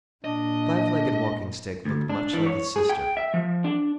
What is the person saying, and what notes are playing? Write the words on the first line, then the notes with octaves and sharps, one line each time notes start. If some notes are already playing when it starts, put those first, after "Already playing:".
The Five-Legged Walking-Stick looked much like his sister.
A#2 D4 D#5
D2
D4
E3
C#5
G#4
G5
E5
F3
D4